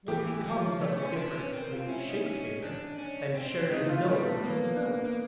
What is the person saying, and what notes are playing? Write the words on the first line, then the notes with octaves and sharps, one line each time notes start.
What becomes of the difference between Shakespeare and Sheridan Knowles in the film?
E3 G4
G4
F3
C#5
A3 C#5
C#4
C5
D4
B4
C#4
C4 A#4
F4
C#4 E4
D#4
C#4
D4
C#4
C4
A3 D#4
F4
G3 B3
A3
A#3 B3
A#3